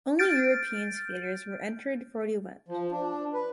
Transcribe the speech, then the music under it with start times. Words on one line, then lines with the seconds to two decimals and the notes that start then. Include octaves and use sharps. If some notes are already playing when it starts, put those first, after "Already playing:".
Only European skaters were entered for the event.
0.19 F6 G6 A6 D7
2.68 F3
2.92 D4
3.33 B4